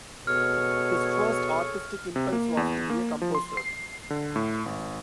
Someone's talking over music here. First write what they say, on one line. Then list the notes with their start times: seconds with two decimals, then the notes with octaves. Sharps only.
His first artistic impulse was to be a composer.
0.27 B2 G#4 A4 C#5 F6
2.16 C3
2.32 A#3
2.57 E2
2.90 A#3
3.22 F3
3.35 C6
3.57 C7
4.10 D3
4.36 A2
4.66 G#1